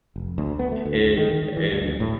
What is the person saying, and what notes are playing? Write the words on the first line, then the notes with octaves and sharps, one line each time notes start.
and and,
F1
D2
B3
A3
D2
D2
D#3
D#3
E3
D2
A2